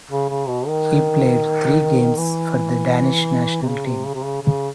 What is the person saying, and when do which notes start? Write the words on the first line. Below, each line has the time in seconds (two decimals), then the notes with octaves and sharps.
He played three games for the Danish national team.
0.11 C#3
0.30 C#3
0.48 B2
0.67 D#3
2.17 E3
3.63 C3
3.68 C#3
3.86 C3
4.06 C#3
4.15 C3
4.24 C#3
4.42 C#3